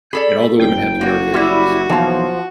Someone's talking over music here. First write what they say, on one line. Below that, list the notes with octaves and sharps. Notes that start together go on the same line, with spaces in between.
and all the women had to wear veils.
G#4 A4 D5 B5
F#1 G5
A#3 F#4 C#5
G3 E4 G4
B1 E3 F3 A#3